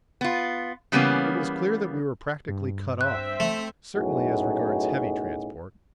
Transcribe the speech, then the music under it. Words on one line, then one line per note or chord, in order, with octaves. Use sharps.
It was clear that we were practically cut off, certainly as regards heavy transport.
B3 F4
C#3 E3 G3 A#3 B3 C#4
G2
C4 E5 F#6
A3
B1 F#2 A2 D#4 F#4 G#4